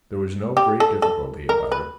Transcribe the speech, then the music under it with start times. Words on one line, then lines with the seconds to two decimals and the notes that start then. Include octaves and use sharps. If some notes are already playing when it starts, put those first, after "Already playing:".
There was no great difficulty about it.
0.57 G4
0.80 A4
1.02 A4
1.49 A#4
1.72 B4